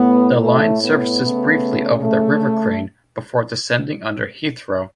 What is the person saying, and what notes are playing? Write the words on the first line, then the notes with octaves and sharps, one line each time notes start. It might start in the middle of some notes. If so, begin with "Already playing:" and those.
The line surfaces briefly over the River Crane before descending under Heathrow.
Already playing: A2 A3 B3
A3
B3
C#3 A3
A3